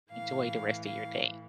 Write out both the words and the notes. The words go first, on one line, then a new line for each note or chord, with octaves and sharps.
enjoy the rest of your day.
A2 E3 F5
F5